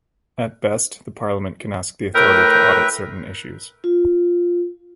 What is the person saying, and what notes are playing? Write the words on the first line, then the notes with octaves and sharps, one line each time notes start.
At best, the parliament can ask the authority to audit certain issues.
A2 A#4 B4 E5 G5 G6
F4